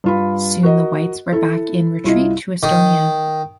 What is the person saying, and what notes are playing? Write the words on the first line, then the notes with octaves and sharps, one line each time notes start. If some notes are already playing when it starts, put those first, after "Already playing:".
Soon the Whites were back in retreat to Estonia.
G2 F4 B5
F#4 A#4 D#5
E4 A4
C2 E4 F4 D#5
D#3